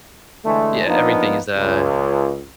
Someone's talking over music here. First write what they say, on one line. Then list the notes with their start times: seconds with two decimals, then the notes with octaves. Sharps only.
Yeah, everything is, uh,
0.44 D3 E3 G#3 A3
0.87 F3 A#3 B3 D4 D#4
1.57 C#2